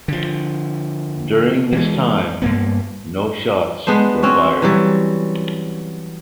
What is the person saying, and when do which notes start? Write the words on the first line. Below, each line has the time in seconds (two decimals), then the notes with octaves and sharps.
During this time, no shots were fired.
0.08 D3 F3
1.73 E3 G#3
2.42 G2 A#3 B3
3.87 G#3 B3 D4 C5
4.23 C4 C#4 F#4
4.62 E3 F#3 G3